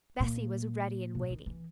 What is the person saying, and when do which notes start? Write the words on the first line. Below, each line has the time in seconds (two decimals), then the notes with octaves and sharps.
Bessy was ready and waiting.
0.20 A#2
1.15 B2
1.30 D#3
1.46 E3